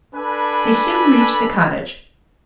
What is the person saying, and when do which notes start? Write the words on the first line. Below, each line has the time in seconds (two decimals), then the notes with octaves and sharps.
They soon reached the cottage.
0.14 D4 A4 B4 G#5 B5